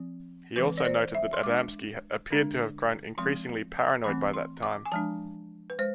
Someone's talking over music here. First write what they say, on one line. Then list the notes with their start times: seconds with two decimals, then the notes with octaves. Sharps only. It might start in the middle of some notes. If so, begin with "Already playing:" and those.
He also noted that Adamski appeared to have grown increasingly paranoid by that time.
Already playing: F3 C4
0.56 E3 G#3 C4 B4
0.77 D5
0.85 C5
1.15 E5
1.33 C6
1.43 G#3 D4 D6
2.31 D3 G#3 D4
3.18 F3 G#3 C4 C6
4.04 E3 A3 C4 B5
4.34 C6
4.63 D6
4.85 G#5
4.92 F3 G#3 D4 A5
5.70 B4
5.79 G#3 C5